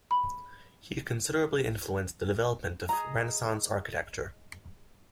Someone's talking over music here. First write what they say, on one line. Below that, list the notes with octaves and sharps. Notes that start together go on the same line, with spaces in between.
He considerably influenced the development of Renaissance architecture.
B5
G#4 D#5 A#5